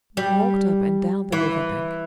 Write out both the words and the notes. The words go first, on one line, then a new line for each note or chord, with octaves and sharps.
We walked up and down the river-bank.
G3
E3